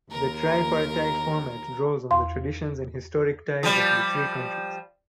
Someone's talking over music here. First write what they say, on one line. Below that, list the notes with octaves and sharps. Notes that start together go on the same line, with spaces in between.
The tripartite format draws on the traditions and historic ties of the three countries.
D#2 A#4 A#5
E2 F5 C6
F3 G3